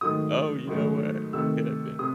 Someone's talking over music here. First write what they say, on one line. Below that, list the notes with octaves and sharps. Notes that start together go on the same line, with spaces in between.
Oh, you know what? It could have been.
G#2 D#3 F#3 A3 D#6
G#2 D#3 F#3 A3
C3 D#3 A3 E6
C3 D#6